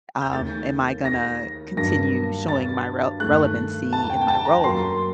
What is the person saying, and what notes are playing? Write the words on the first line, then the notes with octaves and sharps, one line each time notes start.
um, am I gonna continue showing my rel relevancy in my role
G6
D#2 D#3 A3 A6
A#6
G2 F#3 A#3 A#6
A6
G2 D#3 A3 F#6
A5
G5
G5
A5
A#5
F#2 F#3 A#3 C6